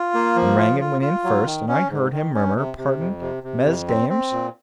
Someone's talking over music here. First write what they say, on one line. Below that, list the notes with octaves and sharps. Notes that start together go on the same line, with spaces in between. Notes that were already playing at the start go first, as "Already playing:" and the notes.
Then Rangon went in first, and I heard him murmur 'Pardon, Mesdames.'...
Already playing: F4
A#3
F3
F4
F4
F4
F#3
D#3
C#4
G#2
D#3
C#4
C3
C3
F2
C3
C3
F2
C4
C4
A#2